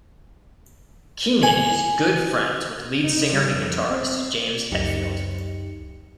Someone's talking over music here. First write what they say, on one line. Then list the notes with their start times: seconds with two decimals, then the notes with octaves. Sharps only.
Keenan is good friends with lead singer and guitarist James Hetfield.
1.43 G#5
3.04 D#4
3.33 G3
3.54 F2
3.90 C4
4.72 C#2 F#2 D#4 G4 C#7